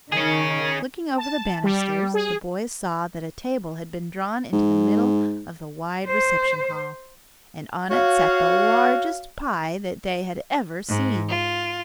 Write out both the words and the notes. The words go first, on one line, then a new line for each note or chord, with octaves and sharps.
Looking over the banisters, the boys saw that a table had been drawn into the middle of the wide reception-hall, and on it sat the largest pie that they had ever seen.
D#3 C#4 G#4
A5
G3
G#4
G#2
C5
F#4 C#5 F5
G#2
F4